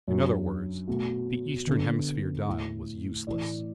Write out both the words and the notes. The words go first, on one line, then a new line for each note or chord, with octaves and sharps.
In other words, the eastern hemisphere dial was useless.
F#2 F#3 D4
B2 A3 F#4
D3 B3 D4 A4
A2 A3 E4
A2 E3 A3 E4 D5